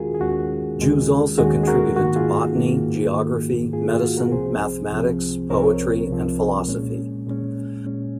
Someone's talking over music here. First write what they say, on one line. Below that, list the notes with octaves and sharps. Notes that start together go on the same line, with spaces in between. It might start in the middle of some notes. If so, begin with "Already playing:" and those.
Jews also contributed to botany, geography, medicine, mathematics, poetry and philosophy.
Already playing: D#2 D#3 G#3 C#4 F4 F#4 G#4 A#4
G#4
D#2 D#3 G#3 C#4 F#4
D#2 D#3 G#3 C#4
D#2 D#3 G#3 C#4 F#4
G#4
F#4 A#4
G#2 D#3 A#3 F#4
F4 G#4
G#2 D#3 A#3
G#2 D#3 A#3
G#2 D#3 A#3 F4 G#4
F4
F#4
F#4 A#4
C2 C3 F3 C4 G#4 C5
C2 C3 F3 C4
C2 C3 F3 C4 A#4 C#5
C2 C3 F3 C4
A#2 G#3 C#4
A#2 G#3 C#4
A#2 G#3 C#4